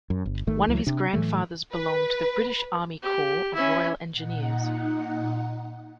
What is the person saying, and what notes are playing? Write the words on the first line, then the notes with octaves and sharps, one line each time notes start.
One of his grandfathers belonged to the British Army Corps of Royal Engineers.
F#2
G1
G#1 D#3 A3
C#2 E3 F#3
C3 D4
A2 E3 F#3 A3
B4
G4
C#4 E4
A#2 D#4 F#5